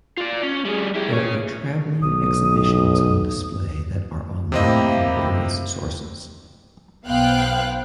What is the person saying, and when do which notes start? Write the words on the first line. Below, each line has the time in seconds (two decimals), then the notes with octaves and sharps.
There are traveling exhibitions on display that are on loan from various sources.
0.17 F4 D5
0.43 C#4
0.65 G3 G#4
0.95 E4 G4
1.13 G#4 C#5
2.02 B1 D#6
4.52 C3 A#3 C4 E4 G4 D#5
7.07 B1 B3 C5 F5 G5 F#6